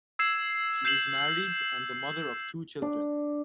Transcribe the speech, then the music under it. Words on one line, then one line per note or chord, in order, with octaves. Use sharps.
She is married and the mother of two children.
E6 G#6 C7 E7
G6 C7 E7 F#7
D4